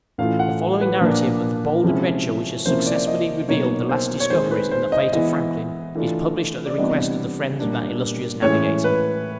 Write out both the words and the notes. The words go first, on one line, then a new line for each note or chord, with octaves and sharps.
The following narrative of the bold adventure which has successfully revealed the last discoveries and the fate of Franklin, is published at the request of the friends of that illustrious navigator.
A2 E3 A3 C#4 F4 F5
F#5
B4
A#2 F3 A#3 D4
C3 F3 G#3 C#4 E4
C3 F3 A#3 C#4 E4 C5
D5
D#5
B2 F#3 A#3 D#4 C#5
C5
C#5
D#3 G#3 C4 C5
B4
C5
D#5
E3 G#3 B3 E4 D#5
E3 A3 D4 F4
D5
C3 E3 G3 B3 D4 D#5
A#2 G3 A#3 D4
A2 E3 G#3 C#4 E4 C#5
B4